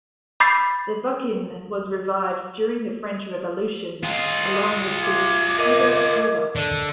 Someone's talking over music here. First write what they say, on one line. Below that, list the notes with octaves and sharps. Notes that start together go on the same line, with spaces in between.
The buccin was revived during the French Revolution, along with the "tuba curva".
B5 D6 G6 A6 B6 C7
F4 G#4 D#5
E5 D6 G#6
A#4 D#5
D3